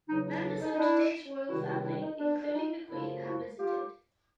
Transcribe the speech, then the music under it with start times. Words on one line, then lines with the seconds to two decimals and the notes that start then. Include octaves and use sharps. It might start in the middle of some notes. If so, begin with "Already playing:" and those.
Members of today's Royal Family, including the Queen, have visited.
0.08 E2 C#3 F#3 D#4
0.26 D#4
0.43 D4
0.61 D#4
0.74 D#4
0.78 D4 E4
1.48 C#2 C3 D#3 G3 E4 F#4
1.65 E4 F#4
1.83 D4 E4
2.01 D#4
2.18 D4
2.42 D4
2.54 D#4
2.88 F#2 C#3 F3 D4 E4
3.23 E4 F#4
3.58 F4 G4